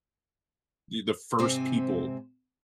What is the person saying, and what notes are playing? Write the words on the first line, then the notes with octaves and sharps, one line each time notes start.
e the first people
G#2 C3 C4 G#5